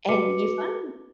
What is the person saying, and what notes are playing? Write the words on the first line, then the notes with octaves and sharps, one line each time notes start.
And you find
F#4 B4 D6 C#7